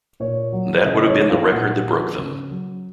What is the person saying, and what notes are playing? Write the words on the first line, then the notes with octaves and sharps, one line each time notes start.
That would have been the record that broke them.
A#2 C#5
F#3
C#3 D#5
C#5
F3
F5
A#2 F#5
F3
C#3
F#3